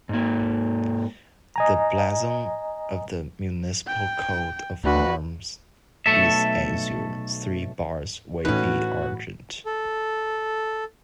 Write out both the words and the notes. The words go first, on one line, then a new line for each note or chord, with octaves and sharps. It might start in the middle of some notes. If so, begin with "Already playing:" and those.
The blazon of the municipal coat of arms is Azure, three Bars wavy Argent.
G#2 A#3
D#5 G#5 A#5
G5
D2 F#4 B4
B1 C3 A3 A4 E5
A2 E3 C#4 D#4 F#4 B4
A4